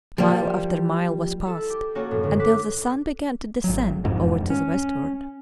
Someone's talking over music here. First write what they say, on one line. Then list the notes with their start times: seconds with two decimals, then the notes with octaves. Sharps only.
Mile after mile was passed, until the sun began to descend over to the westward.
0.18 F3 G3 A#3
1.45 E4 A4 E6
1.70 G4
1.95 A#3 C#4 F#4 A4 C#5 G#5
2.11 F1 F#2 A2
2.24 G1
2.40 D6 E6 F#6 B6
3.64 G#1 F#3
4.04 E1 F2 G#2
4.50 C#4